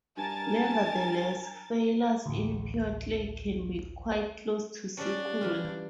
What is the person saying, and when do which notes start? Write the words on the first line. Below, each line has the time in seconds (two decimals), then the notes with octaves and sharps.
Nevertheless, failures in 'pure' clay can be quite close to circular.
0.17 G2 A#4 G#5 A5 A6
2.26 A1 D2
4.97 G3 C#4 D4
5.41 E3 G3 F4